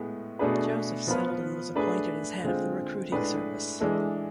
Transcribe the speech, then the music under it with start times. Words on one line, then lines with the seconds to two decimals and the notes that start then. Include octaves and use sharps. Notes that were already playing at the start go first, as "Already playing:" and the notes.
Joseph Selden was appointed as head of the recruiting service.
Already playing: A2 G#3 B3
0.39 B2 A3 D4 G#4 B4
1.07 F3 B3 F4 B4
1.75 A3 D4 G#4 B4
2.44 D3 G#3 C4 F4
3.12 A2 G#3 D4 G#4 B4
3.80 E3 G#3 D4 A4